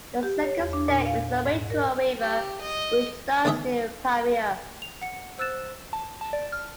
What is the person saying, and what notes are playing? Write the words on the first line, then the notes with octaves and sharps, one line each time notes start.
The second stem is the Waitoa River, which starts near Piarere.
G4
C#5
E2
D4
A#2
F5
G#2
A#4
G4
D#5
E2 D#3 D#4 D#5 E5
F7
F#5 C#7
C5 E6 F#6 A6 E7
A5
A5
D5
F6